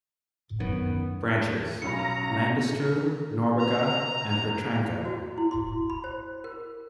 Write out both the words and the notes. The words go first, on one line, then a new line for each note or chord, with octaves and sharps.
Branches: Landestreu, Nowica, and Petranka.
F#2 D#3 B3
B1 C#4 A#5 B5 C#7
A#5
F#4
E4
C6
B5
C5
A#4